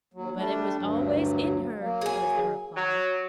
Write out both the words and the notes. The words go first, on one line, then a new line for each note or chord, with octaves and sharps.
"But it was always in her," was the reply.
D#2 F#3
G3 A3 D4
D2 G2 F#3
F#3 A#3
G#4 G#5
F#3